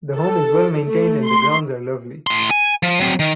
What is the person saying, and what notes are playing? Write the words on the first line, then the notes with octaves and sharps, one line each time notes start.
The home is well maintained and the grounds are lovely.
A4
A3
C6
A2 C6
G#5
F3
F#3 C4
D#3